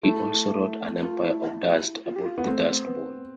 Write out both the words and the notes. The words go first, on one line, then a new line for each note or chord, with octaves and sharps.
He also wrote "An Empire of Dust" about the Dust Bowl.
A3 E4
F4
E4
F4
G4
F4
B3
A3 C4
B3